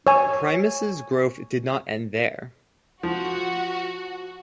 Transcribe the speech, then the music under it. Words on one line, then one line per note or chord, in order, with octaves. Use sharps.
Primus' growth did not end there.
C#5 G#5
F3 F#4